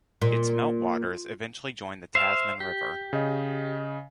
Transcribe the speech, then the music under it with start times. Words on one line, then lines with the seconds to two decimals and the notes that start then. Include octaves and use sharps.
Its meltwaters eventually join the Tasman River.
0.22 A#2
2.15 C5 E5 F5
2.60 G4
3.13 C#3 D#5